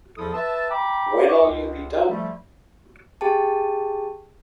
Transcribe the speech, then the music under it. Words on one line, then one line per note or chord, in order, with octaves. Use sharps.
When'll you be done?
E2 F3 E4 A4 D#6
B4 E5 A5
G5 A#5 B5 D6
D5 D#5 C#6 D6
C#2
F3 G3 A3
G4 G#4 G5 A5